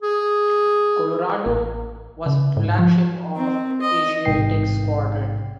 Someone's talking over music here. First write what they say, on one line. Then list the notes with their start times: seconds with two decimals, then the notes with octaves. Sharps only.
"Colorado" was flagship of the Asiatic Squadron.
0.02 G#4
1.46 A1
2.26 C#3
2.57 G#2
2.79 F3
3.37 C4
3.81 D#5
4.25 A1 G#2 C3 G5 C7